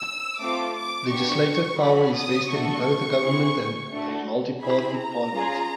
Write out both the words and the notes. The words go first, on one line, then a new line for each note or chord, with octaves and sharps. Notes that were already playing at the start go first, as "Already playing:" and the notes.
Legislative power is vested in both the government and a multi-party parliament.
Already playing: E6
A3 C4 F4 D6
D6
B3 D4 G4 C#6
C#4 F#4 A4 B5
D#6
A3 D4 F#4 A4 C#6
C4 E4 G#4
A3 D4 F#4
C4 E4 G#4 B5
A#5
C#4 F4 G#4